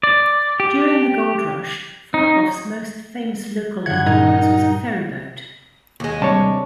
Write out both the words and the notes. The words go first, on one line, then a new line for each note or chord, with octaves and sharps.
During the Gold Rush, Firebaugh's most famous local enterprise was a ferry boat.
D5
G4
D#4
G2 D3 F#5 G#6
A#2 C#4 D#4 G#4 A#4
D#2 G#3
C3 G3 D4 C#5 A5